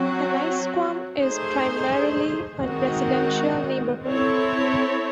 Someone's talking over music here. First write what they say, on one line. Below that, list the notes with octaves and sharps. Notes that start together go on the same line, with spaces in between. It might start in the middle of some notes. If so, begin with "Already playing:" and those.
Annisquam is primarily a residential neighborhood.
Already playing: F#3 C4 F#4
A3 D#4 G#4 C5
D#3 G#3 C4 D#4 F#4
C4 E4 A4 C#5